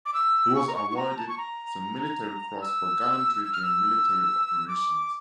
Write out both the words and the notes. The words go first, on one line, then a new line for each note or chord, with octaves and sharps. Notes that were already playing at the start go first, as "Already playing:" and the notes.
He was awarded the Military Cross for gallantry during military operations.
D6
E6
C#6
A#5
C#6
C#6
A#5
A5
C#6
A#5
E6
E6
F6
E6
D6